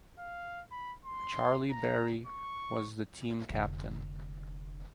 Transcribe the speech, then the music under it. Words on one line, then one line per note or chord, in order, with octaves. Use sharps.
Charlie Berry was the team captain.
F5
B5
C6
A#5
C#6
F1 D3